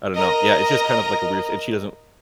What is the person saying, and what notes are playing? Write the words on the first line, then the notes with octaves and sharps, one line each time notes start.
I don't know, yeah, it's just kind of like a weird s and she doesn't
A#4 D#5 A#5